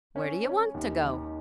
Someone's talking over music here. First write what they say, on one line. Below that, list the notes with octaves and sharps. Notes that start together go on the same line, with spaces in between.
"Where do you want to go?"
C#4
C#4
D#2
D#3